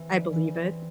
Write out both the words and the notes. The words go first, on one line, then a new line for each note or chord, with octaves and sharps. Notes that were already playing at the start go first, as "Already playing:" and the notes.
I believe it.
Already playing: E3 C4
G3
E3
C4